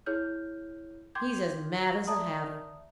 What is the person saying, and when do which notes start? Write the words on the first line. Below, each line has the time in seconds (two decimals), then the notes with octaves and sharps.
He's as mad as a hatter.'
0.06 E4 G#4 C#5 F6 G6
1.15 G5 C6 D6 G6 G#6
2.07 D5 E5 A5 A#5 D#6